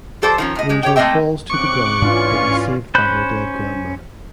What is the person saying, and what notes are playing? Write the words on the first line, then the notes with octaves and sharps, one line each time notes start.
Angel falls to the ground but is saved by her dead grandma.
F3 G4 A4 C5 D5
D#3 F3 C#4
A2 D#5
G#3 G4
G4 C#5 G5
A3 A#3 C4 D#5 E5 G5
C#3 C4 C#6 D6 F#6
G#2 E3 C#4 D4 F4 D5
C#4 C5 B5 F#6 G6